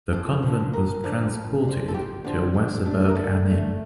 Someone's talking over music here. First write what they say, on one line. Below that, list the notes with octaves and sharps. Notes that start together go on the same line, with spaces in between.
The convent was “transported” to Wasserburg am Inn.
F2 A4
D3 F3
F2 A#4
D3 F3
F2
D3 F3
A4
F2 G4
D3 F3
D3
A3 D4
A#4
D3 A4
A3 D4